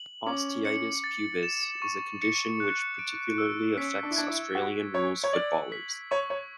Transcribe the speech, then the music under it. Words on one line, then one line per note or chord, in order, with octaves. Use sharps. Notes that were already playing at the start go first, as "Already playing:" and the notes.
Osteitis pubis is a condition which particularly affects Australian rules footballers.
Already playing: F#7
C#4 D6
C#7
A6
E7
C#6
C#7
F#6
D7
E6
C#4 B6
D4
E4
D4 G#6
E4
F#4 G#6
C#5 G#6
C#5
D5 F#7
B6
C#5 C#6
C#5